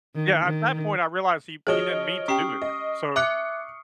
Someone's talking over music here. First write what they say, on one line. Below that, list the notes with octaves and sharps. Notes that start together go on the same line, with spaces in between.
Yeah, at that point, I realized he d he didn't mean to do it, so
D#3
D#3
F3 F#4 G#4 C#5 D#5 F6 D7 G7
C#4 G4 G5 C#6 D#6 C7
D#5
E5 D6 F#6 C#7